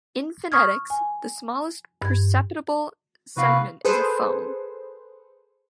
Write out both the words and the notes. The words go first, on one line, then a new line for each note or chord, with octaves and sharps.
In phonetics, the smallest perceptible segment is a phone.
C#6 D#6 F6 G#6
G#5
G2 G#6
C3 E4 F#4 B4 F5
G#4 A4 B4 C5